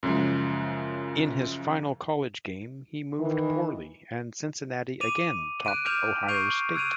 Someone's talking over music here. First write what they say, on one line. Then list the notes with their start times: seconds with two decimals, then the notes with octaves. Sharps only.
In his final college game, he moved poorly and Cincinnati again topped Ohio State.
0.03 F#2 C#3 F3 G#3
3.20 D#3 E3
5.01 D6 D#7 F7
5.65 F#6 D7 D#7
5.85 D6 F6 G6 D7 E7 F7
6.28 C#6 G6 C7 D7 D#7 F7
6.75 E6 F#6 G#6 D7 D#7 F7